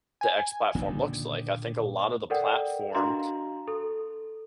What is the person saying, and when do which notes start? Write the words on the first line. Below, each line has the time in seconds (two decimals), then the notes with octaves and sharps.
the X platform looks like. I think a lot of the platform
0.21 G#5
0.75 A#2 D3 D#3
2.30 A4 A#4 D5 F#5 G5
2.95 D4 F#4 D#5 F5 A#5 C6
3.68 A4